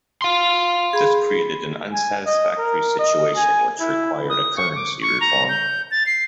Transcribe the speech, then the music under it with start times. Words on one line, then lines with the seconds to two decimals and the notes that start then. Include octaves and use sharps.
This created an unsatisfactory situation which required a currency reform.
0.22 F5 C6
0.93 G#4 B5
1.92 G#5
2.26 D#5
2.58 A#4
2.99 D#5
3.36 G#5
3.80 E4
4.29 D#6
4.57 C#6
4.75 D6
5.02 C#6
5.21 A#5
5.49 G6
5.91 A6
6.06 C7